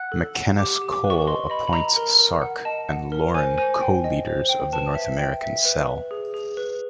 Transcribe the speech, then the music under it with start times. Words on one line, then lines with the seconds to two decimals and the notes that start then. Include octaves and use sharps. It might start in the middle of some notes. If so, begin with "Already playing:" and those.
McKenas Cole appoints Sark and Lauren co-leaders of the North American cell.
Already playing: F#5 F#6
0.12 A4
0.35 F#5
0.58 G4 D6
0.76 D6
0.82 G4
0.93 D6
1.04 B4
1.10 C#6
1.27 D#5 C6
1.50 D#5 B5
1.67 B5
1.73 D#5 A#5
1.96 A#4
2.20 A#4
2.42 F#5
2.65 D#5 A5
2.89 F#5
3.12 A#4
3.34 C5 G#5
3.57 C5 G#5
3.81 G5
4.04 D#5
4.27 C5
4.49 G5
4.73 B4 A5
4.95 E5
5.19 G5
5.42 E5
5.65 B4
5.88 B4
6.11 G#4
6.34 G#4
6.57 B4